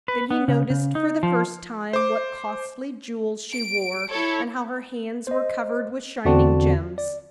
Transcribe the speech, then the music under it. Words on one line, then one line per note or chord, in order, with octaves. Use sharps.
Then he noticed for the first time what costly jewels she wore, and how her hands were covered with shining gems.
B4
B3
C#3
C#3
D#4
F3
C5 D6
D7
E4 A4 C#5
C5 D#5
E2 D3 C4 F#4 D5 A5
D5